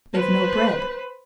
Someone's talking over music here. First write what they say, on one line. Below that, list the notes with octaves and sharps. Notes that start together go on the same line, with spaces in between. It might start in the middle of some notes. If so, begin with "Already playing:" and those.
They've no bread.
B4 C5